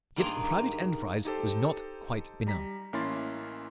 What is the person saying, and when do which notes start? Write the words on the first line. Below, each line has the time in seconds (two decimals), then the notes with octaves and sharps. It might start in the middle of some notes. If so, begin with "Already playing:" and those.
Yet private enterprise was not quite benumbed.
0.16 G2 D#3 A#3 D#4 F4 G#4
1.25 D#4 G4 A4 C5
2.47 G3 A#5 B6
2.93 A1 A#3 C#4 E4 C6 A6